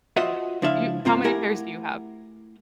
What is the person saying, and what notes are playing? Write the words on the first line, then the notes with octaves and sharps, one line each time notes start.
Yeah. You how many pairs do you have?
F4 F#4 C5 D#5 E5 F#5
C#2 F3 D4 E4 E5 F5
G#2 C4 F4 A#5
A3 E4 G4 A#4 F#5 G#5